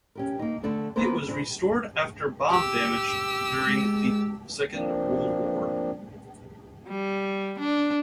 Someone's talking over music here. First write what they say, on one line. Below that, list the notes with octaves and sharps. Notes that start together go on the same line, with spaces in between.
It was restored after bomb damage during the Second World War.
C#4 G4 A#4
A#3 D#4
D3 A3 D4 A4
A#3 B3 G#4 A#4 C5
E3 C4 D4 G#4
G4 E6
G#3
F3 A#3 C4 D4
G3
D4